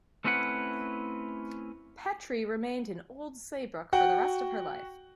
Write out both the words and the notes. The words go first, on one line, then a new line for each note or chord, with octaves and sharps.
Petry remained in Old Saybrook for the rest of her life.
A3 C4 C#4 E4 B4 F#5
F#4 F#5 G5